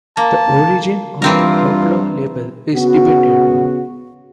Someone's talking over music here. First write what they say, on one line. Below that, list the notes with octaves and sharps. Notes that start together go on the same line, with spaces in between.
The origin of the outlaw label is debated.
A#3 A5
G2 E3 C4 F4 A#4
C#3 B3 F#4